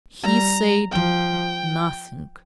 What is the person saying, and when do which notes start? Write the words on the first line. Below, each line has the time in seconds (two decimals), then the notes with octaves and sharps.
He said nothing.
0.23 G3 A#5
0.92 F3 G5